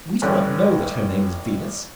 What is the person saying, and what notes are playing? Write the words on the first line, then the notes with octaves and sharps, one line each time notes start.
We do not know that her name is Venus.
A1 G2 D3 G3 C#4 F#6